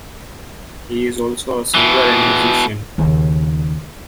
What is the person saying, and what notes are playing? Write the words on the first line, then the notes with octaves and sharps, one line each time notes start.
He is also a singer and musician.
B2 E3
D#2 C#3